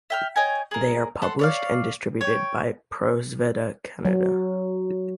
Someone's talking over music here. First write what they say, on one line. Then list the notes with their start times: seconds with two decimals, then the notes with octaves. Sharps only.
They are published and distributed by Prosveta-Canada.
0.10 E5 G5 F6
0.36 C#5 D#5 G5 G#5
0.71 G#4 A#4
1.22 A4 F#5 C6
1.39 C#5 D5 F5
2.21 C#5 G5
4.05 F#3